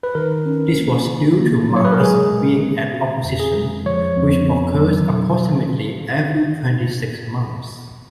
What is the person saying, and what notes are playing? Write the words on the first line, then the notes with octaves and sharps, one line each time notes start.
This was due to Mars being at opposition, which occurs approximately every twenty-six months.
B4
D#3 A#4
C#4
A#3
D#3
A#3
F#3
C#5
B4
A#4
G#3 G#4
A#2
B3
C#3 F#4
F2
G#4
G#3
F3 C#5
F2
B3
F#3
B2